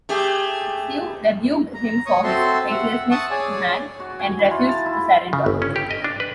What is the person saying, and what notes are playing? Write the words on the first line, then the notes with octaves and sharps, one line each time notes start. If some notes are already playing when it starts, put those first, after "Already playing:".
Su rebuked him for his faithlessness to Han and refused to surrender.
A3 G4 G#4
A#5
C#5 C#6 D#6
C4 F#4 A4 E5 C6
E5 F#5
F#5 A5 C#6 D#6 E6
G#4 C#5 D5 G#5
F#4
G#5
E3
F4
A5
E4
C#3
G1
C#4
G4
D#5
D4
B4